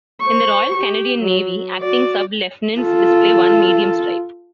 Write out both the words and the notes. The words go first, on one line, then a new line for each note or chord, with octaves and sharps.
In the Royal Canadian Navy, acting sub-lieutenants display one medium stripe.
C5 C#6
G4
F#3
F#4 D5
F4 A4